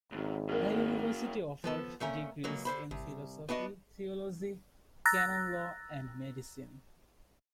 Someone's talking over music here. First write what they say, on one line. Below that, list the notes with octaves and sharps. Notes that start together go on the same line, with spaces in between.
The university offered degrees in Philosophy, Theology, Canon law and Medicine.
G#1 C#2 F#2
F#2 A#3 G#4 A#4
F3 B3 A4
A#2 A3 C#4 A#4
C#2 F#3 A#3
D3 C5 B5
C2
B3 D4 F#4 D#5
A#5 E6 F#6 A6 A#6